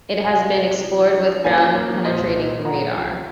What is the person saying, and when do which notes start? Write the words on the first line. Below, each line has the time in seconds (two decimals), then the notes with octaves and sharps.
It has been explored with ground-penetrating radar.
0.09 C#4
0.24 C3 F5 G#5
0.38 F#3
0.54 C3
0.69 C3
0.84 F3
0.99 F3
1.14 C#4
1.30 F3
1.44 A#3 F5 G#5
1.60 C#4
1.75 A#3
1.90 F3
2.05 A#2 C5 D#5
2.20 C2
2.35 A#2
2.50 F3
2.65 A#2 F#5 A#5
2.80 F3
2.96 C2